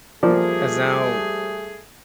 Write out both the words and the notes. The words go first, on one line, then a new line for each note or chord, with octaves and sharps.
has now
F3 G3 A3 A#3 G#4 D5